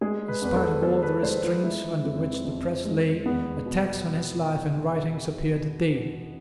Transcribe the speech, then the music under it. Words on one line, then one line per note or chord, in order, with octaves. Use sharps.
In spite of all the restraints under which the press lay, attacks on his life and writings appeared daily.
G#3 G#4
B4
E2 B4
A4
E2 A4
B4
G#3 C5
F4
G#3 E4
E4
F2
C4
F2
G#3
E2 B3
B2